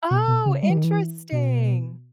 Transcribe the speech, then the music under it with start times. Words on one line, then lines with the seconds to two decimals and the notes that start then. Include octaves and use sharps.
Oh, interesting!
0.11 B2
0.28 B2
0.46 C#3
0.63 G3
0.70 E3
0.77 D#3
0.84 E3
1.32 B2